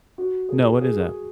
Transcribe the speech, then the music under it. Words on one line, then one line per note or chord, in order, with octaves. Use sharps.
No, what is that?
F#4
G#4
G#4
G#4